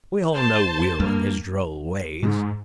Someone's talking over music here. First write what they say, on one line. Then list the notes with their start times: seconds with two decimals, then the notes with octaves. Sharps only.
"We all know Will and his droll ways."
0.33 C5 A5
1.00 G2 A#3
2.23 G#2